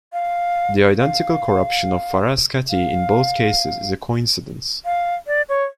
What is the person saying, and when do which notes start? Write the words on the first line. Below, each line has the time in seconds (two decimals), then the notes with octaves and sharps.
The identical corruption of Frascati in both cases is a coincidence.
0.13 F5
0.98 F5
2.70 F5
4.85 F5
5.27 D5
5.49 C#5